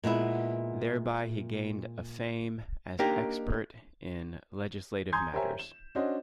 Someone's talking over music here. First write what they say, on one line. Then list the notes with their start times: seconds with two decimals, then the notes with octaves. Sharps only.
Thereby he gained a fame as expert in legislative matters.
0.03 A#2 G#3 B3 E4
2.99 A#3 D4 D#4 G4 A#4
5.12 G#5 A#5 C6 D#6 G6 G#6
5.33 G4 A#4 C5 C#5 E5 G#5
5.59 E7
5.95 C#4 D4 F#4 C5 D#5